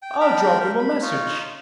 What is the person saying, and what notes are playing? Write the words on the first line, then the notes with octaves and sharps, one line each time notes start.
"I'll drop him a message!"
G5
D4 A#4 G5 B5
A#4 C5
B5
D#4 F4 C#5